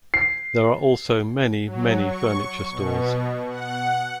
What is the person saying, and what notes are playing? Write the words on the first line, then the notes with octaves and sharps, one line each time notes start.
There are also many, many furniture stores.
C7
F#3
C#6
B2
F#5